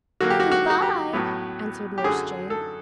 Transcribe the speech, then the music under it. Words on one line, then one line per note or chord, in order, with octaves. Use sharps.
"Good-bye!" answered Nurse Jane.
D3 F#3 A#3 F#4
G4
F#4
F#4
F#4
G4
A2 F#3 B3
G4
F#2 D3 F#3 G#4
A4